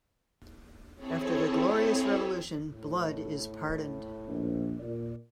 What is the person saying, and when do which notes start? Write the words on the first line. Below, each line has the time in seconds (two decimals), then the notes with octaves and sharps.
After the Glorious Revolution, Blood is pardoned.
0.95 C4 E4 G#4 A4 C#5
2.71 A2
4.27 A#1
4.80 A#2 D5